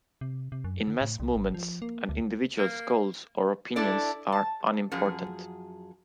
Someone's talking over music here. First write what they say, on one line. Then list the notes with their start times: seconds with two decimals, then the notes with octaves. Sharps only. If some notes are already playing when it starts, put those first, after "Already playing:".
In mass movements, an individual's goals or opinions are unimportant.
0.21 C3
0.52 C3
0.64 F#2
0.87 D3
1.01 A2
1.20 C2
1.35 G#1
1.54 F3
1.82 A#3
2.09 D2
2.58 A#3
3.76 D4 E4 A4 D5
4.32 A5
4.92 F#2 F3 G#4